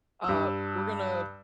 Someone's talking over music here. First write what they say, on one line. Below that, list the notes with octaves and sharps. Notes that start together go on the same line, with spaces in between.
Uh, we're gonna,
G2 E6